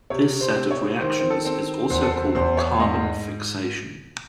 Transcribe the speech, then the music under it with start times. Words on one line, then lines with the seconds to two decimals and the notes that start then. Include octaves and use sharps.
This set of reactions is also called "carbon fixation".
0.10 C3 C#5
0.41 C5
0.55 C4
0.71 C#5
1.01 D#3 C5
1.20 C5
1.30 A4
1.45 C4
1.90 E2 C5
2.03 A4
2.12 C5
2.35 E2 C5
2.57 C#5
2.79 G#2 D#5